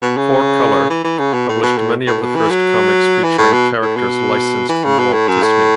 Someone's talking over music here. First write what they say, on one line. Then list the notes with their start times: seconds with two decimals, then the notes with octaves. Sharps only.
"Four Color" published many of the first comics featuring characters licensed from Walt Disney.
0.02 B2
0.17 C#3
0.90 E3
1.04 E3
1.19 C#3
1.33 B2
1.49 A2
1.63 B2
1.77 A2
2.07 A2
2.22 B2
2.35 E3
2.50 F#3
3.23 E3
3.38 A2
3.53 B2
3.82 A2
3.96 B2
4.69 E3
4.84 C#3
4.99 B2
5.13 A2
5.28 F#2
5.42 A2